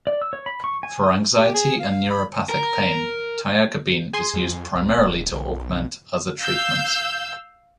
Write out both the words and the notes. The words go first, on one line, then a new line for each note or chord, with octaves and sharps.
For anxiety and neuropathic pain, tiagabine is used primarily to augment other treatments.
D5
E6
C#5
B5
C#6
G#5
D#6
G4
G#4
F5
B5
A#4
G#4 G#5 C6
F2
C2
D1
B1
F5 E6 G6